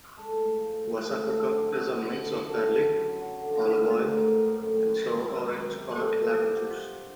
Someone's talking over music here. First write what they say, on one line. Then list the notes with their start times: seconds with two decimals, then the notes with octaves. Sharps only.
Wasakaka is a mix of garlic, olive oil, and sour orange or lemon juice.
0.17 G#3 A4
0.31 A2
0.45 A2
0.58 F3
0.73 G#3
0.86 A2
1.00 F3
1.14 A2
1.27 D3 A4
1.42 F#3
1.55 D3
1.69 F#3
1.83 F#3
1.97 F#3
2.11 D3
2.25 D3
2.38 F#2 A4
2.53 F#2 B4
2.66 F#2
2.80 F#2
2.94 F#2
3.08 F#3
3.21 F#3
3.36 D3
3.49 F3
3.63 A2
3.78 G#3
3.91 A2
4.05 A2 A#4
4.19 A2
4.33 A2
4.46 A2
4.61 F#2
4.74 D#3
4.88 F#2
5.02 D#3
5.15 G#3 A#4
5.30 F#2
5.43 G#3
5.57 F#2
5.71 C3
5.86 A3
5.99 C3
6.13 C3 A4
6.27 F3 G#4
6.40 C3 G4
6.54 C3 F#4
6.68 C3 F4
6.83 G2